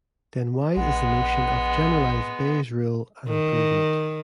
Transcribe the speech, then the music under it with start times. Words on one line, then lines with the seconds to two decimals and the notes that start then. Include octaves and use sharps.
Then why is the notion of generalized Bayes rule an improvement?
0.76 A#1 G#3 B3 F#5
3.29 D#3